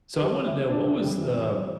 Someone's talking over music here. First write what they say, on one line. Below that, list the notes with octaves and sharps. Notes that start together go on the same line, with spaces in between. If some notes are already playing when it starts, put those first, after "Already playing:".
So I want to know what was the
G4
E4
D4
A3
G3
E3
E3
G3